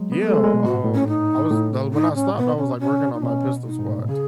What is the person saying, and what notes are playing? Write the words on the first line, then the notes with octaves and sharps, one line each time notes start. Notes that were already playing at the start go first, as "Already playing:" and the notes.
yeah, um, I was The When I stopped, I was, like, working on my pistol squats,
Already playing: F#3 G#3
B3
A3 A4
G#3
G#3
B2
A2 F#4
G#2
A2
C#4
D#4
A2
D#4
C#4
B2 B3
C#4
C#4
D#4
B2 C#4
D#4
G#2
A2
B2
C#3 G#4